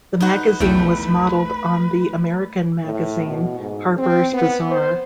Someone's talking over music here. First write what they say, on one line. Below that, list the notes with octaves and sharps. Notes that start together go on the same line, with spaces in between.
The magazine was modelled on the American magazine "Harper's Bazaar".
D#4 F#4 B4
B1 E2 A3 G5
A2
B2
G#2
C4
B3
C5